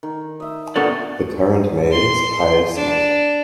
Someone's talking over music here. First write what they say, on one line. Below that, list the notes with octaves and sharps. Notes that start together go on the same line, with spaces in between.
The current mayor is Pius Natter.
D#3
D#5 E5
A#2 D3 B3 A4 D5 C#6
C6
D4